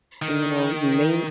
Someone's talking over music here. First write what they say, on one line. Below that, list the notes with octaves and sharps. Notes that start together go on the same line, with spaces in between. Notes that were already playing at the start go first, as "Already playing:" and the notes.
And, you know, you may
D#3